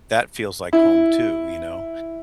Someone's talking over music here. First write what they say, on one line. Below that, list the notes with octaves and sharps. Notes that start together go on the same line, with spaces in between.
that feels like home, too, you know,
E4